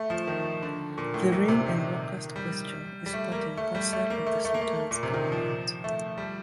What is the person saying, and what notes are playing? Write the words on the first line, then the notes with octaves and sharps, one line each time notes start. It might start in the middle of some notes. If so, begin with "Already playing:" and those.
The rain and locust question is part and parcel of the sultan's government.
Already playing: A3
F3
D#3
D3
A#2
A2
A#2
C3
D#3
G3
G3
A3
A#3
A3
G3
A3
A#3
A3
A3
A#3
A3
A#2
C3
D#3
F3
A3
G3